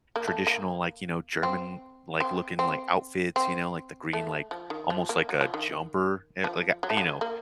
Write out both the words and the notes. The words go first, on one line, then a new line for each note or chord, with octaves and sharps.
traditional, like, you know, German, like, looking, like, outfits, you know, like, the green, like, almost like a jumper, y like a you know
A#3
A3
A#3
C4
C4
C4
C4
A3
F3
D#3
F3
A#3
F#3
F3
D#3
F3
F#3
A3
F#3
A#3